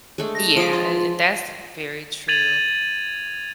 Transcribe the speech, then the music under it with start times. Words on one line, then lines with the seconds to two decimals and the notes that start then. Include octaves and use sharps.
Yeah. And and that's very true.
0.18 G#3 A3 D4
0.35 A#6
0.57 F3 G#4 D6 D7
0.73 F4
2.28 G#6 A6 D#7 F7 F#7